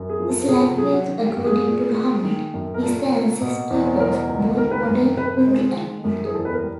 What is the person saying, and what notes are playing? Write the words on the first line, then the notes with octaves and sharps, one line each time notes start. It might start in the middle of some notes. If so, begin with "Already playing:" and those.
This language, according to Rahman, is the ancestor of both modern Hindi and Urdu.
Already playing: F#2
G#4
F3
A4
C3 G#4
A4
F#3 G#4
F#4
D#3
G4
F#2
G#4
A#2
A#3
D#3
F#2
A#4
A#2 A4
A#3
B2
E2
B2 A#4
C#2
D#3 A#4
B4
F#2 A#4
C3 B4
C5
G#3
D#3
F#2
G#4
E2 A4
B4
A#4
G3